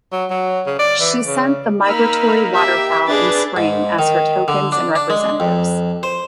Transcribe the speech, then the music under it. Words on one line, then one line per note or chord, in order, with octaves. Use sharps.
She sent the migratory waterfowl in spring as her tokens and representatives.
F#3
F#3
C#3
D5
E3
C#3
A#3 D#4 B5 E6 F6
G4 E5
D4 G#4 B4 A6
G#2
D#3
D3
D4
D4
G#3
F2
C5